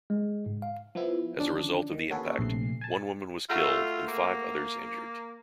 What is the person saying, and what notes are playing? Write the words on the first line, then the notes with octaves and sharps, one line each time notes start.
As a result of the impact, one woman was killed and five others injured.
G#3
G#2
F5
F3 B3 E4
D3 D#3 F3 C#4 D4
D#3
A#3 C#4 F#4 G#4 A4 B4
A#1 C3 A3 C7
G#5 A5
A3 F4 F#4 A#5
A#3